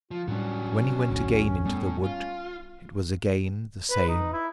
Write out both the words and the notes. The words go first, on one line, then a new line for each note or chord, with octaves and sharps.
But when he went again into the wood it was again the same.
F3 F4
A2 F#3 G3 C#4 D4
A#1 D#2 A2
A2 G3 B3
F4
B4
D#4
E4